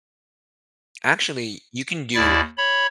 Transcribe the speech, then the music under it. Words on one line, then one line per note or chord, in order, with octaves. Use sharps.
Actually, you can do
D#2 E4 D5
C#5 B5